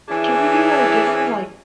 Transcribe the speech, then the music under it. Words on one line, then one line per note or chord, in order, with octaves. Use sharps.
can we do our dinner, like,
E3 C#4 D4 E4 G#4